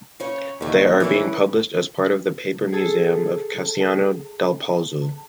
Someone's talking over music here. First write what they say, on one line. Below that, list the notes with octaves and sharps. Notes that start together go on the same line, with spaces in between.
They are being published as part of "The Paper Museum of Cassiano dal Pozzo".
C#3 C#4 C#5
D#2 B2 A3
E3 C#4 A#4 B4
G#4 A4